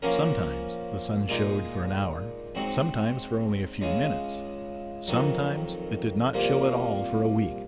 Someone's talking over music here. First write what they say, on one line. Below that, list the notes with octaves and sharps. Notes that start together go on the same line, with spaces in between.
Sometimes the sun showed for an hour, sometimes for only a few minutes, sometimes it did not show at all for a week.
F3 A#3 C#4 F#4 A#4
A#2 G#3 D#4
G#2 F#3 C4 F#4
C#2 C#3 G#3
F2 D#3 F#3
C2 A#2 F3 A#3